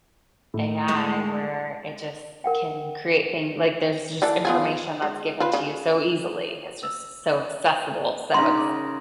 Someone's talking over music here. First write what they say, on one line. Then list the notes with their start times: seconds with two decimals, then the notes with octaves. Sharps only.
AI where it just can create thing like, there's just information that's given to you so easily. It's just so accessible, so it's
0.54 A2
0.88 G#3 B3
2.44 A#4 F#5 G5
4.22 E3 D4 A4
4.45 B3 F4 G#4
5.02 G#3
5.40 F4 B4
5.53 C#3
6.83 E6
8.34 C#3 D4 D#4 A#4 C6
8.57 D6